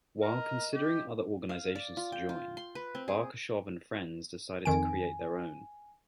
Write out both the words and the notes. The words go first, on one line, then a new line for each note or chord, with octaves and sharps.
While considering other organizations to join, Barkashov and friends decided to create their own.
A#4 D#5
G4
F5
D5
F4
G5
F4
C6
B4
C4
G#4
F2 D#3 G#5 D7